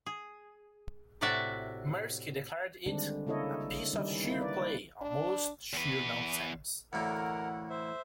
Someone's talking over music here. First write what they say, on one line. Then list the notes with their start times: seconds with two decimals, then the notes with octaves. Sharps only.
Mirsky declared it "a piece of sheer play, almost sheer nonsense".
0.06 G#4
1.21 A2 C3 F#4 D5 E5 A5
2.86 D3 D#3 G3 G#3 C4 D4
3.27 C#3 A#3 E4 A4 C#5 D#5
3.93 D#3 G3 C#4 D#4
4.24 A#3 E4
4.41 B4 D5
5.02 D4
5.73 E2 B4
6.93 D2 A2 E3 A3 A#3 A#4 F#5
7.70 C5 E5